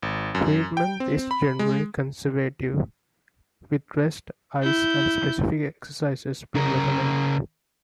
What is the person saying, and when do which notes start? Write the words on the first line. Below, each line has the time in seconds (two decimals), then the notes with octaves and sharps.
Treatment is generally conservative with rest, ice, and specific exercises being recommended.
0.03 G#1
0.35 F#2
0.77 G5
1.00 C4
1.31 B5
1.59 G#3
4.63 E4 G6
6.55 C#3 A#4